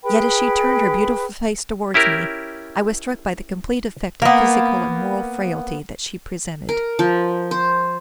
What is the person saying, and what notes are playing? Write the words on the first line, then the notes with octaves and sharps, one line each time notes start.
Yet, as she turned her beautiful face towards me, I was struck by the complete effect of physical and moral frailty that she presented.
G#4 B4 G5 B5
C#4 E4 G4 A#4
A#3 B3
A#4
F3
C5